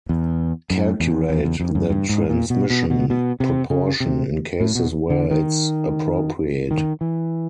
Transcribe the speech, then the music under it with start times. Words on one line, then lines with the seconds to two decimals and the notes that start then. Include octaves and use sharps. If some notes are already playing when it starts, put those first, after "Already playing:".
Calculate the transmission proportion in cases where it’s appropriate.
0.09 E2
0.70 F#2
1.00 E2
1.29 E2
1.44 E2
1.60 F2
1.75 F#2
1.90 G2
2.09 G#2
2.29 A#2
2.50 B2
2.70 B2
2.90 B2
3.10 B2
3.40 C3
3.70 C#3
4.00 C3
4.60 A2
4.75 B2
5.10 D3
5.31 D#3
6.71 D#3
7.01 E3